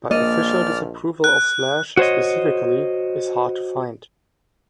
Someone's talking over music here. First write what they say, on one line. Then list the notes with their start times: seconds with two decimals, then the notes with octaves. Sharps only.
But official disapproval of slash, specifically, is hard to find.
0.11 A#1 A#3 D5 D#5 F6
1.24 F#6
1.97 F#4 C5 C#5 D#5